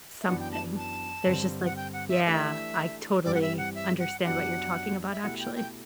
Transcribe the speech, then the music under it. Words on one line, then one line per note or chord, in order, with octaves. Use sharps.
Something. There's just like yeah, I totally understand what you're talking about, actually.
E5
F#2 E3 B3 D4 F#5
G5
A5
A5
G2 D3 G3 C4
F#5
G5
F#5
E5
E3 A3 D4 G4 E5
G2 E3 G3 C4 D5
F#5
E5
F#5
E5
F#5
F#2 F#3 B3 D4 G4 F#5
E5
B2 A3 E4 G4 F#5
G5
G5